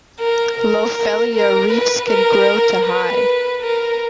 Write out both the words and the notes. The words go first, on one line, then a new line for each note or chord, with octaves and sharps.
"Lophelia" reefs can grow to high.
A#4
A#4
A#4
B4
A#4
B4
A#4